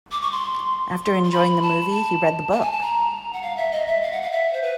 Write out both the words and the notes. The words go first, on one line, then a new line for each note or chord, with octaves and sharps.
After enjoying the movie, he read the book.
D6
C#6
C6
C6
C6
B5
A5
A5
A5
G#5
A5
A#5
F#5
F5
E5
D#5
E5
F5
F#5
F5
E5
C5
B4